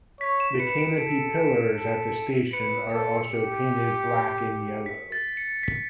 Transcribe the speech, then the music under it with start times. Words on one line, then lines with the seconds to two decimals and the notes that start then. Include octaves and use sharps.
The canopy pillars at the station are also painted black and yellow.
0.20 C#5 B6
0.40 E7
0.59 B4 C#7
0.78 D7
0.98 A4 D7
1.75 A4
2.53 B4 C#7
2.92 A4
3.31 G4
4.86 B6
5.12 A6
5.37 C#7
5.63 B6